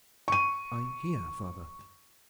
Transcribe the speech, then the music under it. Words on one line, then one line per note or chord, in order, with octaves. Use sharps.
"I hear, father."
C#6 D#7